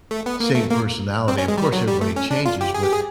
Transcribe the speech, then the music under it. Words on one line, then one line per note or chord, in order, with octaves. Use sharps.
same personality. Of course, everybody changes, but,
A3
B3
A#3
A3
A#3
C4
C#4
G#3
G3
F#3
G3
A3
C#4
D4
F4
G4
G#4
G4
G#4